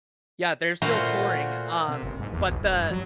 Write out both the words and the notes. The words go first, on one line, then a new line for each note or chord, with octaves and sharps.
Yeah, they're still touring, um, but the
A#2 A3 F#4 B4 C5 F5
C3
G1
G#2
E2
B1
E1
G2
F#3